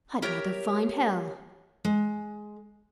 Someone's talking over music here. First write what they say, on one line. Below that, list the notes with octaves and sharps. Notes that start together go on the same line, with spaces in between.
I'd rather find hell!
G4 A#4 C#5 E5
G#3